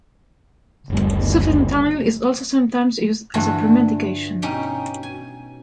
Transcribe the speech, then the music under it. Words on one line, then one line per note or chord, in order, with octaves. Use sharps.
Sufentanil is also sometimes used as a premedication.
F#1 D2 G3
G2 D3 E3 F4 F#4
B2 C#4 D#4 G4 G5
G#5